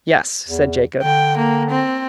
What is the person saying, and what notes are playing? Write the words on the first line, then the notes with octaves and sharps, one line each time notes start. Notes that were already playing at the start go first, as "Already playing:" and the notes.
"Yes," said Jacob.
E2
D3 G5
A#3
C4